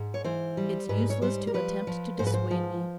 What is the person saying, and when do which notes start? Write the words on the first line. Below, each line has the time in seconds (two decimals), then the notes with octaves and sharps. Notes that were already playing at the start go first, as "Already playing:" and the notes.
'It's useless to attempt to dissuade me.'
Already playing: G#2
0.14 C#5
0.24 E3 C5
0.57 G3
0.89 G#2 B4
1.10 C#5
1.22 G3 C5
1.47 A#4
1.54 F3 B4
1.87 F3
2.19 G#2 C5
2.27 B4
2.34 C5
2.51 F3